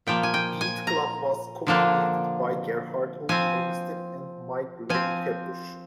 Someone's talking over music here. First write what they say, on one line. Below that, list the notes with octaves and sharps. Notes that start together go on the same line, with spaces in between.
"Beat-Club" was co-created by Gerhard Augustin and Mike Leckebusch.
A#2 F3 A#3 G5
G#5
G5
G#5
A#5
D3 F3 A#3 D4
F3 C4 G#5
F3 C4 G#5